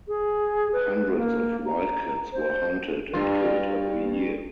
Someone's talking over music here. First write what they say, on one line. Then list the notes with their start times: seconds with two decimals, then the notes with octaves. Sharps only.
Hundreds of wildcats were hunted and killed every year.
0.08 G#4
0.73 B4
1.16 A#3
1.66 A#5
2.33 C5
3.14 G2 F4